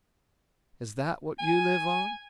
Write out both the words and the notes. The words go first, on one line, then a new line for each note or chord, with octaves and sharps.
"Is that what you live on?"
G#5